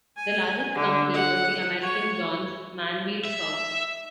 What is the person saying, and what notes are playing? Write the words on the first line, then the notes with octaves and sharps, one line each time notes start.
The largest company was the American Johns-Manville firm.
G#5
D3
F#5
C#5
E5